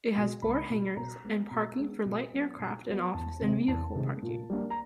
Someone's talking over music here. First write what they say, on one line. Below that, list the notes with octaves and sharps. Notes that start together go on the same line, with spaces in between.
It has four hangars and parking for light aircraft, an office and vehicle parking.
B2 G#3
C#2 B5
B2 G#3
B2 A#5
G#3 B3
B2 A#5
G#3 B3
B2
F#3 B3
B2
F#3 B3
E2 A5
C3 D#3 G#3 C4
E2 A5
C3 D#3 G#3 C4
A#2
G3 A#3 D4
A#5